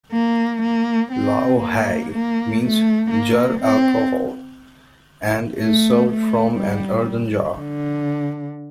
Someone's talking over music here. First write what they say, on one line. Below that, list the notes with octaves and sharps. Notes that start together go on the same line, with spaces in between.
"Lao hai" means "jar alcohol" and is served from an earthen jar.
A#3
A#3
C4
A#3
A#3
A3
A#3
C4
A3
A3
G3
D3